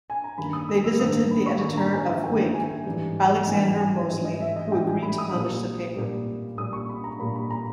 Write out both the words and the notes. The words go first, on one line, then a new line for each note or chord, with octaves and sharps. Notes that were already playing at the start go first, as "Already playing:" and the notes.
They visited the editor of Whig, Alexander Mosely, who agreed to publish the paper.
G#5
A#5
G2 D#3 A#3 B5
D#6
D#6
E6
G2 D#3 A#3 D#6
B5
C#6
G2 D#3 A#3 C#6
A#5
G#5
E5
G2 D#3 A#3 G5
G#5
G#2 E3 G3
G#2 E3 G3 G#5
G5
G#5
C#5
G#2 E3 G3 D#5
D#5
E5
D#5
G#2 E3 G3 G5
G#5
B5
D#6
A#2 G3 A#3 D#6
A#2 G3 A#3
A#2 G3 A#3 D#6
C#6
B5
A#5
A#2 G3 A#3 B5
B5
A#5